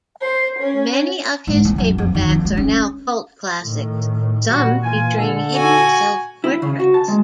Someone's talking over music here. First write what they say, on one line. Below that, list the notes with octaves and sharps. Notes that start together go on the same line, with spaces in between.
Many of his paperbacks are now cult classics, some featuring hidden self-portraits.
C5
C#4
G#2
C2
F#2
F2
D#3
F2
G#3
C#4
A2 D#3
A#2 F#3 G3 F#4
E3 F4 G#5
D3 A4
F#4 G#5
E4
C#3
F#4
A5
G#3